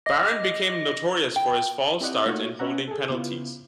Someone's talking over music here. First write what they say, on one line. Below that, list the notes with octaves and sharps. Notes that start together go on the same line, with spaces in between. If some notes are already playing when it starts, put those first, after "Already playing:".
Barron became notorious for his false start and holding penalties.
D#5 D6 A#6
G5
C4 E4 G4 D5 D#5 F#5
A3 A#3 D#4 F4 F#4 C#5
C#4 B4 E5 F#5 A#5
G#4 A4
C#3 B3 E4 F4